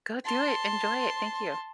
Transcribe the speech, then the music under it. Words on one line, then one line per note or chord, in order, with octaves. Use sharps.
Go do it, enjoy it, thank you.
A5 C6